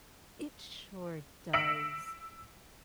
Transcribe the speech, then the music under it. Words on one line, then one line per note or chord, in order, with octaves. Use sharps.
It sure does.
E6 A#6 B6 C#7 D7 F#7